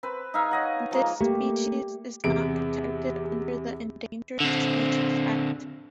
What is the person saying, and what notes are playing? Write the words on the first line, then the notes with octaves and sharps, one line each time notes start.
This species is not protected under the Endangered Species Act.
C4 B4
D#4 G#4 E5 F5
C#5 D#5 F#5
F3 G#3 A#3
A3 A#3 G4
E2 C3 D7
D3 C4